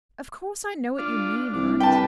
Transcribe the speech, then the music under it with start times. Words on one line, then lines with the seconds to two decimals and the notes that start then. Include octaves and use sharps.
"Of course, I know what you mean, aunt?"
0.99 D4 F4
1.54 C2 D4
1.80 B4 G5 A5